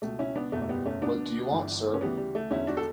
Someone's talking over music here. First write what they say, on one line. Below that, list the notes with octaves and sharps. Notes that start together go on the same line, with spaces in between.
What do you want, sir?
C#2 B2 A3
C#4 E4
B3 D4
F#1 E2 B2 A3
A3
G3 B3
A3 C#4
D2 D3 B3 D4
G1 G2 E3
C#4
D2 C#3 E3 G3 B3
G3
A3
E1 E2 D3 C#4 E4
D4 F#4
A4